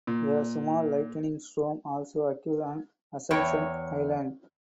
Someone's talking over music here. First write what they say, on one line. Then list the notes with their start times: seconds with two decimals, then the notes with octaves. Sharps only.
A small lightning storm also occurred on Assumption Island.
0.07 A#2
3.31 E2 C#5 G5